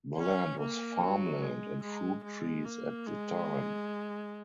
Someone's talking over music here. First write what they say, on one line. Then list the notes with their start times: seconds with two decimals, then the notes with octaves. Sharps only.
The land was farm land and fruit trees at the time.
0.18 C#4
0.60 A#3
1.01 F#3
1.42 G#3
1.83 G#3
2.24 G#3
2.65 A#3
3.07 G#3